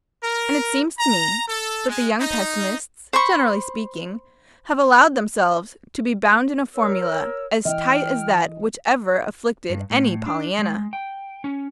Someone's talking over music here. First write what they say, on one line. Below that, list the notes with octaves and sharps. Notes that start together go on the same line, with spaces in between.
And it seems to me that the young pessimists, generally speaking, have allowed themselves to be bound in a formula as tight as that which ever afflicted any Pollyanna.
A#4
A#5
A4
G#3
D#4
C5 B5 C#6
A#4 C#5 E6
E3 D#5 G5 F6
G2
A2
D4
G#3
G5
C#4